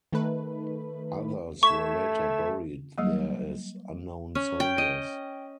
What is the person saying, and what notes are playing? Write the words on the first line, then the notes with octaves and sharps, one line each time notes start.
Others were later buried there as "unknown soldiers".
D#3 A3 B4
A3 C#6 G#6 B6 E7
F#3 G3 A#3
C#4
G5
D#5